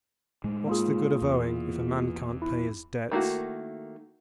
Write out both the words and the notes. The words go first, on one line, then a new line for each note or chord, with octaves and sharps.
"What's the good of owing, if a man can't pay his debts?"
A2 G#3
A#3 F4 G#4
E2
E4
D#3 A3 A#3 E4 F#4